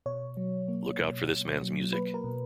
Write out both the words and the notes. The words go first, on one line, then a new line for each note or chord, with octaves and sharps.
Look out for this man's music'.
B2 C#5
F#3
A#3
B2
B2
F#3
A#3 B4
A#4
B2